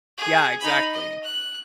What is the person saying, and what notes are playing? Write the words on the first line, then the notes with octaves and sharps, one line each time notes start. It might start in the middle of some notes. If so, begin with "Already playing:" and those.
Yeah, exactly.
G#4
D#4 B5
D#5
F#6